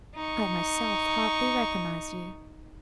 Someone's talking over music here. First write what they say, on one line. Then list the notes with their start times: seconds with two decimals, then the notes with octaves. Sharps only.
I myself hardly recognised you.
0.15 D#4 C#6